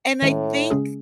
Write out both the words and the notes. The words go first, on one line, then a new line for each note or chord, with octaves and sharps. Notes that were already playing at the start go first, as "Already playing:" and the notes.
and I think
A2 D#3 G#3 C#4
C#3 G#3 C#4 G#4